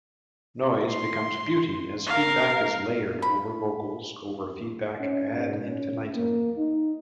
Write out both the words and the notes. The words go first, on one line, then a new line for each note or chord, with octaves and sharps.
Noise becomes beauty as feedback is layered over vocals over feedback ad infinitum.
C6
A#4 F5
B5
C#4
G#2
C#4
A#3
D#4